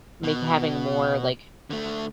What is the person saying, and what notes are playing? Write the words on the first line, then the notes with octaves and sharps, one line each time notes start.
m make having more, like,
B2
D3 A3